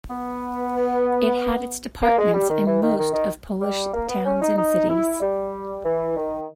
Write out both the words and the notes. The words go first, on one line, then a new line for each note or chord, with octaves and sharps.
It had its departments in most of Polish towns and cities.
B3
A#3
G#3
G3
D#3
E3
D#3
D#3
D#3
G3
A#3
B3
C#4
D#4
D#4
E4
G3
E3
D#3